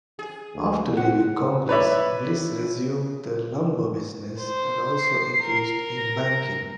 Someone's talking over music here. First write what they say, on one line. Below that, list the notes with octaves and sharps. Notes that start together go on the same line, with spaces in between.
After leaving Congress, Bliss resumed the lumber business and also engaged in banking.
G#4
D2
C4 F#5
B4 C#5 D5 E5 B5
C5
C7
A#4
A#6